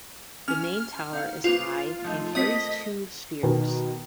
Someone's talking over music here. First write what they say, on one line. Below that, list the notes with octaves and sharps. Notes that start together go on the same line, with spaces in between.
The main tower is high and carries two spheres.
C#4 F6
D#4 F5 F#5
A#3 F4 B4 C5
F3 A3 D#4
A3 A#3 C4 D#5 B6
B2 D#3 B3